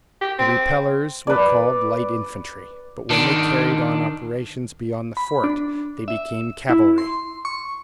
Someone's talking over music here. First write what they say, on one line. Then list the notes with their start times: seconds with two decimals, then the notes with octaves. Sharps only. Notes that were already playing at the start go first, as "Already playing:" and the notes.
The repellers were called light infantry; but when they carried on operations beyond the fort they became cavalry.
0.21 G4
0.39 C4
1.27 B4 D5
3.10 D#3 D4
5.17 B5
5.44 D4
6.08 E5
6.70 E4
6.98 C6
7.45 C#6